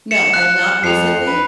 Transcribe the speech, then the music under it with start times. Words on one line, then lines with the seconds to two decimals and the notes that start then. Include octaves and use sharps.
No, I have not recently.
0.11 C#7 E7
0.34 F#6
0.84 F2 F3 C7 F7
1.27 B4